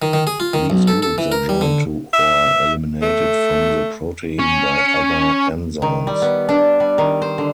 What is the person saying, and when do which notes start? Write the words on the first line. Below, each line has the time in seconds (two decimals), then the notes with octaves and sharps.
These groups are joined to or eliminated from the protein by other enzymes.
0.02 D#3
0.13 D#3
0.27 G#4
0.40 F4
0.53 D#3
0.70 B1
0.88 A4
1.03 A4
1.18 E3
1.32 A#4
1.49 G3
1.61 D3
2.13 E5
3.02 A3
4.39 C#4
5.82 D#3
6.07 G3
6.22 B3
6.49 D4
6.80 G3
6.98 D#3
7.22 C5
7.38 D3